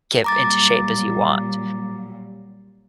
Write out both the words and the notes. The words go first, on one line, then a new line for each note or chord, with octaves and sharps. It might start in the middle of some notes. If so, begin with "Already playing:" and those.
get into shape as you want.
A#2 F#3 G3 A#5 D6 A6